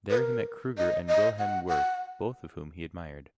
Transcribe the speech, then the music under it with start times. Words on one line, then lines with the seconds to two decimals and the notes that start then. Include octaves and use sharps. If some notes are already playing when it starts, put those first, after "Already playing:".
There he met Krueger and Wilhelm Wirth, both of whom he admired.
0.10 B4
0.18 A#4
0.78 D#5
1.08 D#5
1.39 F#5
1.69 F#5